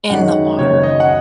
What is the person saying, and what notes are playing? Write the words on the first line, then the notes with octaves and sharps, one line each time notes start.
in the water,
F#2 D#3 G#3 D#4 F#5
F#1 F#2 D#3 C#5
D#5
F#5